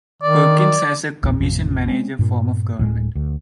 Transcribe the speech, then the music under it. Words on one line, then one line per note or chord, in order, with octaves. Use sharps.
Perkins has a commission-manager form of government.
D#3 D5
D5
A1 D#2 A#2
A1 F2 C3 F3
G#3 C4 C#4
G2 A#2
D1 A2 G#3
D2